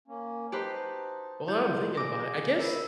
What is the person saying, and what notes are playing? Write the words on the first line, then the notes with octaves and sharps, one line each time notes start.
well now that I'm thinking about it, I guess,
A#3 C#4
D#4 G4 B4 C5 A5
F2 G#2 E4 F4 G6
G#4 D5 D6 A#6
E4 A#4 E6